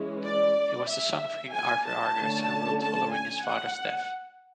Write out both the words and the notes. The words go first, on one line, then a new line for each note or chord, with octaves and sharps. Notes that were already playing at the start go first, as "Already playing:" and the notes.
He was the son of King Arvirargus and ruled following his father's death.
Already playing: E3 G#3 C#4
D5
E5
G#5
A5
D3 A3 C#4
A5
G#5
F#5